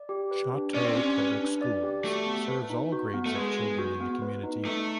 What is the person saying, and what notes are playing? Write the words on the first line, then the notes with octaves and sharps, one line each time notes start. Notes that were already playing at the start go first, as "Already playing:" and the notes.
Choteau Public Schools serves all grades of children in the community.
Already playing: D5
G4
B4
D4
C#4 D5
C4
C#4 G4
B4
D4
D5
G4
A3 F#4
B3
B4
D#4
F#4
B3
A3
G#3 B4
D#4
F#4
B3
B4
D#4
A3 D#4